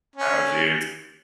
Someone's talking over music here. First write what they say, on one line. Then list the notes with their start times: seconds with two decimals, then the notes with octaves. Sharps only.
Oh, jeez.
0.16 C#4